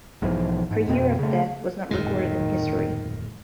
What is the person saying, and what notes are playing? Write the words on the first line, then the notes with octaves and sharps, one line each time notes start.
Her year of death was not recorded in history.
B1 G#2 E3 F3
G#2
F2 B2 C4
C#3 A3
D1 F2 A#2 D#3 G#3